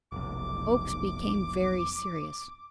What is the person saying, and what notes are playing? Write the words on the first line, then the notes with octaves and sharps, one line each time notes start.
Oakes became very serious.
F1 B1 D6